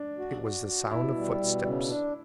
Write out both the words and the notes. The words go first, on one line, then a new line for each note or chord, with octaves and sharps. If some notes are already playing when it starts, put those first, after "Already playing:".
It was the sound of footsteps!
Already playing: D4
F#4
F#4
F#4
B2 E4
G3
B2
C#3
D4